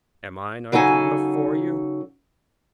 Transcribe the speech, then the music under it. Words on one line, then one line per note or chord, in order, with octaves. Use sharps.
Am I not good enough for you?'
C#3 F#3 D#4 A4 G#5